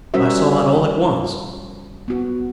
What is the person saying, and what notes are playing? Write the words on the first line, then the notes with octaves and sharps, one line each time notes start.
I saw it all at once.
G3 C#4 F#4 A#4 C5 E5
B3 F#4